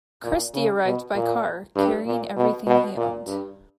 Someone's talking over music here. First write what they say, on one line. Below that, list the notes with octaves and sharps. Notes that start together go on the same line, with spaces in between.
Christy arrived by car, carrying everything he owned.
A#2
C#3
B2
A#2
G2
A#2
B2
B2
A#2
G2